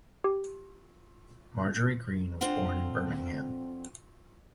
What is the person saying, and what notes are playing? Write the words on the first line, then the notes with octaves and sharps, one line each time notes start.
Marjorie Greene was born in Birmingham.
G4
F2 C4 D4 F4 F#5